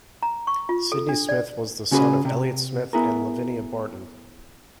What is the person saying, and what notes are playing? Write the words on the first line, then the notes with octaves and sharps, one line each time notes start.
Sidney Smith was the son of Elliot Smith and Lavinia Barton.
A#5
C#6
F4
A4
D4
D5
C#3 C#4 F#4 G#4 B4
C3
B3 E4 G#4 A#4